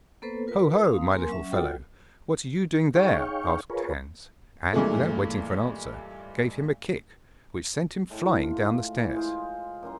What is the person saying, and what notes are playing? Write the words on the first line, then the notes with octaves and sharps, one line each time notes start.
'Ho! ho! my little fellow, what are you doing there?' asked Hans, and, without waiting for an answer, gave him a kick which sent him flying down the stairs.
A#3 B3 A4 B4 C5
F4 A#4 B4
C4 F5 D#6
A#3 A#4 G#5 C6
F#3 C#4 E5
F4 F#4 A4 D#5 F#5 G5
D#4 G#4 C#5 F5 G5 C#6
F4 G#4 A#4 B4 C#5
G2 A#2 E3 G#3 A3
A2 G#3
F4
E3 B4
G#3 F4 G#4 C5
F#2 A#2 A#5 C6